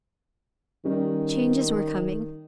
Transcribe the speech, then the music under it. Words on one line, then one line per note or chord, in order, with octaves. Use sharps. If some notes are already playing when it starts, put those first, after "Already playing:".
Changes were coming.
D#3 G3 C#4